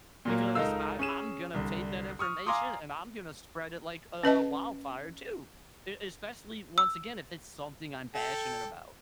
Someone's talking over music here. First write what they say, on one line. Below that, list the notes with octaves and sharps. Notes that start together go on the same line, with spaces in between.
because I I'm gonna take that information, and I'm gonna spread it, uh, like a wildfire too, e especially, once again, if it's something I'm passionate about.
A#2 F#3 A#3
C#2 D#4 A4 A#4 F5 E6
C#4 G#4 D#7 E7
C2 D3
C#6 D#6 F6
F5 G#5 A#5 C6 D6 D#6
C#4 B4 D#5 A5
E6
A4 G5